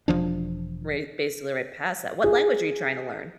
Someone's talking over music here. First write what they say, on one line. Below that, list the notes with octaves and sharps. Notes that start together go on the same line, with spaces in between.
right basically right past that what language are you trying to learn?
E1 F#2 F3 D4
G#4